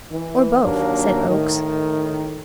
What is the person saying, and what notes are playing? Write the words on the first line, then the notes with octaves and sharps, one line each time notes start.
"Or both," said Oakes.
E3
D#2 D#3 F#3 A#3 D4
A2 D#3